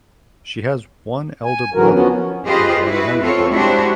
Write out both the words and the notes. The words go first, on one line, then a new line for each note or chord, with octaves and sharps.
She has one elder brother and one younger brother.
G#5
D3 E3 F#3 F#4 A#4
F3 B3 C#4 F#4
F4 G4 G#4 B4 C5 D#5
E4 F#4 B4
C4 F4 A4 C#5
G#3 D4 E4 F#4 G4 C5